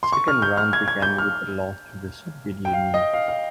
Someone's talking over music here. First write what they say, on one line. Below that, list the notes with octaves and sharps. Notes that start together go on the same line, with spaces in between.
The second round began with a loss to the Soviet Union.
C6
C#6
F6
G6
F6
G#6
G#6
G6
F6
G5
F5
D#5
F5
F5